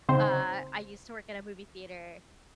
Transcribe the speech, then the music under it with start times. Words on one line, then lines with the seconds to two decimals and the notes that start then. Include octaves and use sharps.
uh, I used to work in a movie theater,
0.09 C#3 C4 D#4 C5